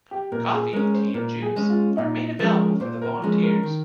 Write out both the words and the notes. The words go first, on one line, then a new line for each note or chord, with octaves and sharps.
Coffee, tea and juice are made available for the volunteers.
G4
A#2 A#4
G#4
G#3 C#4 A#4
C5
A#2 A#4
G#4
G#3 C#4
F4
A#2 D#4
F3 G#3 C#4 A#4
A#2 C5
A#4
F3 G#3 C#4
A#4
D#3